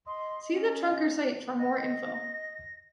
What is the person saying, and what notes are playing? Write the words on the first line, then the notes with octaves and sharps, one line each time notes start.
See the Trunker Site for more info.
D#5 C6
C#4
D#5 A#6